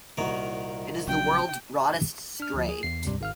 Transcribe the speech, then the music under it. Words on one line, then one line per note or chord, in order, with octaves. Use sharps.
It is the world's broadest strait.
C2 A#2 D#3 E4 F#4 A#4
A#1 C#3 F#3 G5
D4 F6
D2 F3
G#4
E2 C7
C#2 G2 C3 G3
G#1 F5 F6